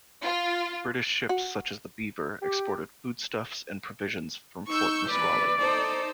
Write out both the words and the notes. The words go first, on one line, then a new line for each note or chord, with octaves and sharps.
British ships such as the "Beaver", exported foodstuffs and provisions from Fort Nisqually.
F4
F#4
G4
D#4 C#6 E6 G6
E3 B4 D5
D#4 A4 C5